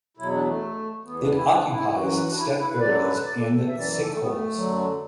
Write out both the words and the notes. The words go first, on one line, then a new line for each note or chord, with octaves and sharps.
It occupies steppe areas and sinkholes.
E2 B2 F#3 E4
D4
A3
E2 E3 B3
D4
E4
D4
E4
F#2 E3 F#4
F#4
F#4
D4
E4
D4
E4
B4
F#2 D3 F#3 D5
B4
D5
A4
A4
F#2 E3 E5
D5
D5
A4
A3
B3
A3
F#2 D3 F#3